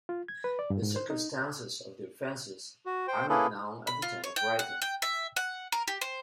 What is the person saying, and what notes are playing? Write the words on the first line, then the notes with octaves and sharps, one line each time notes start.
The circumstances of the offences are not known at the time of writing.
F4
G#6
B4
D5
G2
G#2
C5
D#4
F#4
C5 G5
A#3 C#4 E4 G#4 A4 B4
B5
F4
C#5
G5
F#5
G5
E5
F#5
A#4
G4
C5